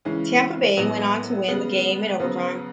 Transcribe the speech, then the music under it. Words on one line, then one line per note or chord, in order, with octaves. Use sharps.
Tampa Bay went on to win the game in overtime.
C#3 E3 G#3 C#4
A2 F#3 B3
C#3 G#3 B3
C#3 F#3 B3